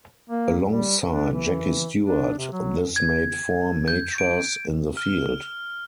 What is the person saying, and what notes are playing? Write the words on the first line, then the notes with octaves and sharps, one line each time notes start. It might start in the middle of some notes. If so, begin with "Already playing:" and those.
Alongside Jackie Stewart, this made four Matras in the field.
A#3
G3
D4
E3
D4
C3
F#3
G#6
G6
D7
F6